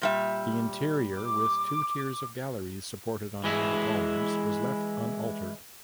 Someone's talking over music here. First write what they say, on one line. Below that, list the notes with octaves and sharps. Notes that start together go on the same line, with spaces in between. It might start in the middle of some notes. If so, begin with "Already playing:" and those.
The interior, with two tiers of galleries supported on iron columns, was left unaltered.
A#2 G3 E5
D6
E3 G#3 E4